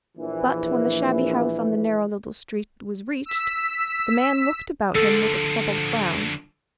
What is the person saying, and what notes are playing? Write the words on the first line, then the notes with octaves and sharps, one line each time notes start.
But when the shabby house on the narrow little street was reached, the man looked about him with a troubled frown.
A#1 E3
E6 B6
D3 F3 A4